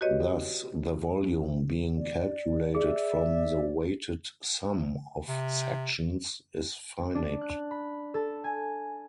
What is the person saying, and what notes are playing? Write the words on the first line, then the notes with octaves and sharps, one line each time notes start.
Thus the volume, being calculated from the 'weighted sum' of sections, is finite.
F#4 G4 B4 C#5 D#5
D5
G#4 D5 E5
C3
D4
F#6
B5
A4
G#5